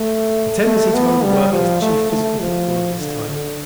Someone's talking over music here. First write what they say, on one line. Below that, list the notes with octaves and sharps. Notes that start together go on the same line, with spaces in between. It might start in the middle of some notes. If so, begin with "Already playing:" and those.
A tendency to overwork is the chief physical pitfall of this type.
Already playing: A3
A3
B3
G3
F3
A3
A3
F3
D3
D3